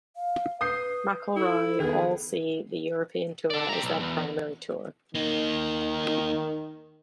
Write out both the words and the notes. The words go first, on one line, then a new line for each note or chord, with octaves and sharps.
McIlroy all see the European Tour as their primary tour.
F5
B4 D#6 G6 C7
E4 A4
D#3 B3 G#4
A4 D5
G4 A#5
B1
E2
D#3 A#3 D#4